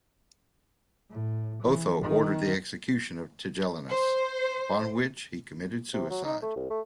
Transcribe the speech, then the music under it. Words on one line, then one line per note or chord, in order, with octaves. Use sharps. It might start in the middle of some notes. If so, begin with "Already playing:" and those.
Otho ordered the execution of Tigellinus, upon which he committed suicide.
A2
E3
D#3
C5
C3
F#3
D#4
A3
C2
A3